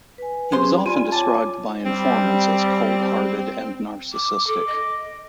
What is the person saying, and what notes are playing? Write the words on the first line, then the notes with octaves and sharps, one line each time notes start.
He was often described by informants as cold-hearted and narcissistic.
B4 G#5
F#3 G#3 C#4 G#4 C5 C6
C4 G4
C3 F4 D5 G#5 B5
C#5 A5 D6
G3 C4
D6
A4 D6
D#5